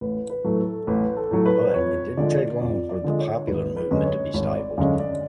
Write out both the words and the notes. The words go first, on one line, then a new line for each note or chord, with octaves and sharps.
But it didn't take long for the popular movement to be stifled.
A1 B4
B4
A2 F#3 A3
A4
A1 B4
A4
A2 F#3 A3
B4
F2 C#5
D3 F3 G#3 D5
F2 D5
D5
D3 F3 G#3
C#5
G#1 B4
B4
F#2 D3 G#3 C#4
C#5
G#1 C#5
D5
F#2 D3 G#3 C#4 F5
D5